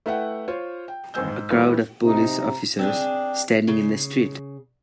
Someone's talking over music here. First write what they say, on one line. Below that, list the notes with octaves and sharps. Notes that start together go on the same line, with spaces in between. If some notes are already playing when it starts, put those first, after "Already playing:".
A crowd of police officers standing in the street.
A3 E4 B4 E5 F#5 G5
F4 C5 C#5
G5
G1 D#3 C4 G#5 E6 G6
G#2
E3 G3 A3 B3 E4 C#5
C3 D#4 A#5
C4 D4 G#4
C#3